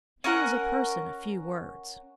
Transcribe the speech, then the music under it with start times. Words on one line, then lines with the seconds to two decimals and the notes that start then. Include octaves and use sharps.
He was a person of few words.
0.24 C#4 A#4 F#5